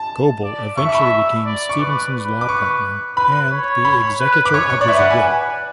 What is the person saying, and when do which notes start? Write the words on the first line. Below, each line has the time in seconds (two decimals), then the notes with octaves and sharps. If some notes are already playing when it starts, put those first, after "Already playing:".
Goebel eventually became Stevenson's law partner and the executor of his will.
Already playing: A5
0.43 D5
0.77 E5 C#6
0.89 C#6
0.94 B5
1.45 D5
1.69 C#6
1.79 B4 D6
2.14 B4
2.41 D6
2.49 C#6
3.16 B4 B5
3.51 C#5
3.85 B5
4.20 B4
4.45 D6
4.53 C#5 C#6
4.70 C#6
4.81 D5
4.87 B4 E5
4.99 F#5
5.11 G#5